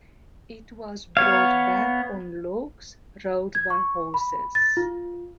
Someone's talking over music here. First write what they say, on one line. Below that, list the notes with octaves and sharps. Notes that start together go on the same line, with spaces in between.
It was brought back on logs rolled by horses.
B3 C#5 F5
G#6
C#6
B5
A6
F4